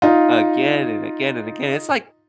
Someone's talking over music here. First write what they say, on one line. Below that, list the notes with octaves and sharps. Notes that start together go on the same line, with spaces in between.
Again and again and again. It's, like,
D#4 F4